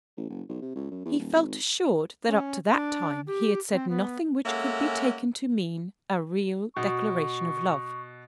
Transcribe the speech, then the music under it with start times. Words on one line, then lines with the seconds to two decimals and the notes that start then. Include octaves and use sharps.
He felt assured that up to that time he had said nothing which could be taken to mean a real declaration of love.
0.17 A1
0.30 F#1
0.49 B1
0.62 C3
0.75 C#2
0.91 F#2
1.05 E2
1.18 D#1
1.34 G#1
2.28 C#4
2.74 D4
3.27 G4
3.72 C4
3.90 B3
4.45 G#3 A#3 C#4 A4 E5 F#5
6.76 B2 C#6